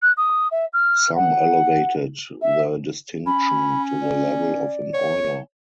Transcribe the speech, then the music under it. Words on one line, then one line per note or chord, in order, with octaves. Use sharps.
Some elevated the distinction to the level of an order.
F#6
D#6
E5
F6
F#5
E5
C#4 B5
D5
C#5